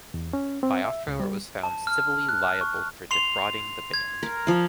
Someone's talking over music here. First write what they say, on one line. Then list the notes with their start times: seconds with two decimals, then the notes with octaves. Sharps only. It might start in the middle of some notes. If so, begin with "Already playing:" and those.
Biafra was found civilly liable for defrauding the band.
0.14 E2
0.33 C#4
0.63 C4
0.84 E5
1.08 C#2
1.20 G3
1.63 A5
1.87 F6
2.29 F#6
2.61 C#6
3.11 C6 C7 F7
3.94 G#6
4.23 A#4
4.47 F3 F5